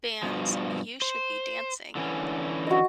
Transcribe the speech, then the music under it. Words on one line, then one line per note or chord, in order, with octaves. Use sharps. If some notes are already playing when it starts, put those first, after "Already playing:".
Band's "You Should Be Dancing".
G2 B2 F3
C5
D3 E3 C#4
F#4 D#5